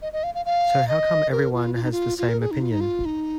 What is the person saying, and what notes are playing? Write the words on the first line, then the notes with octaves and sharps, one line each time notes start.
So how come everyone has the same opinion?
D#5
D#5
F5
F5
F5
D#5
A#4
F4
F4
D#4
F4
F4
A#4
G#4
D#4
F4
D#4
F4
D#4